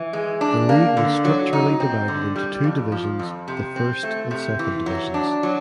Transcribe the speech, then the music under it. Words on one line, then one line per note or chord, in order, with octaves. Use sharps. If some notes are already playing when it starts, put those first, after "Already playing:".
The league was structurally divided into two divisions the First and Second divisions.
Already playing: E3
G#3
D4
A#3
D3
F#3
D#4
C4
D3
G3
F2
F3
F2
C3
C4
A3
C3
E3
F#3
D4
F#3